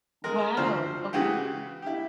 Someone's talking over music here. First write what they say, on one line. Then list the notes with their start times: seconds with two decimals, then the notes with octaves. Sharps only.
Wow, okay.
0.24 G#3 A#4
0.57 D2 F3 C5 F6
1.13 C#3 E3 F#4 G4
1.82 E4 G4